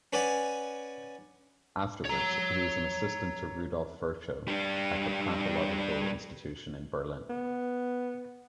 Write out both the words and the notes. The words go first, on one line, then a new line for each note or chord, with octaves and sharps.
Afterwards, he was an assistant to Rudolf Virchow at the Pathological Institute in Berlin.
C#4 B4 D5 F#5 G#5
C#5 A#5
G3 D4
B3